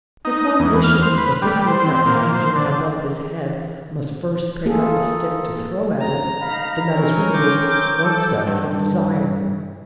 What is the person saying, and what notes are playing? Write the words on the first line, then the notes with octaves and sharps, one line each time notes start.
If one wishing the hickory-nut hanging above his head must first pick up a stick to throw at it, the nut is removed one step from desire.
D#4
E2
F6
C5
B4
G3
C5
C4
A#2
C5
D3
A#3 F4 G#4 A4
A#5
D#4 F5 B5
C4 C#4 A#4
D6 G6
A4
G2